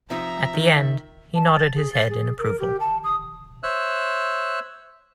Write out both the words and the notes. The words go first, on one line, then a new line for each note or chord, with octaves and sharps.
At the end he nodded his head in approval.
C3 F3 D#4 E5 A#5
D#3
A5
A6
G#4
A6
G#4
A#4
G4
A5
D#6
C5 C#5 E5 E6 F#6